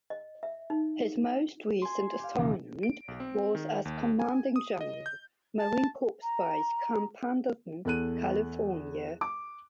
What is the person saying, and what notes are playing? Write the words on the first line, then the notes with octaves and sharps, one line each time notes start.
His most recent assignment was as Commanding General, Marine Corps Base Camp Pendleton, California.
D#5
E5
D#4
G#5 C6
G4 F5
C#2 B2 D#3 E3
D7
B1
C4
D#3
D#2
G#5
D#6
D#5
G6
A5
A#5
E2 A4 F#6 D#7
D6